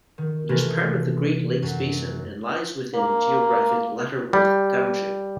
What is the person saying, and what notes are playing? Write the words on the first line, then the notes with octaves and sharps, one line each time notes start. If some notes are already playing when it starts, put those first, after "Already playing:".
It is part of the Great Lakes Basin and lies within geographic Lutterworth Township.
D#3
C3 E3 A3 A#3 B4
F#2
A#3
G3